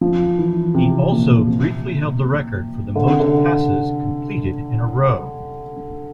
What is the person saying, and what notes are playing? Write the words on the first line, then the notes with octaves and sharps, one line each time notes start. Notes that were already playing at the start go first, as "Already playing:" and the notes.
He also briefly held the record for the most passes completed in a row.
F3
E3
C3
A#2
C3
D3
C3
D3